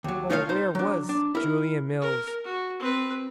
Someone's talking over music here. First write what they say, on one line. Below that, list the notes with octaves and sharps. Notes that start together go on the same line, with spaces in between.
Oh, where was Julia Mills!
D#2 F#3
A3 D#4 F4 C#5 D#5 F5
D#4 C5
F#3 D4
D4
E4 A#4
A#4
F#4
C4 B4